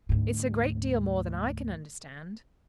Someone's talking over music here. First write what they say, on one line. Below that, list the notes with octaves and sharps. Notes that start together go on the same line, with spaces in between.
"It's a great deal more than I can understand."
D2 G#2